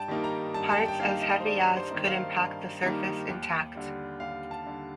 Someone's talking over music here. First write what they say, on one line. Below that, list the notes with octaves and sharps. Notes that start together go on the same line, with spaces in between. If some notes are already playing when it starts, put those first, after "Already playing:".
Parts as heavy as could impact the surface intact.
Already playing: G2 G5 A5
D#3 G3 A#3 D#4
A#5
G2 A5
A5
G5
G5
D#3 G3 A#3 D#4 F5
D#5
C5
G2 D5
C5
D#3 G3 A#3 D#4
F5
G2
D#3 G3 A#3 D#4
D#2
D3 G3
D#2 F5
A5
D3 G3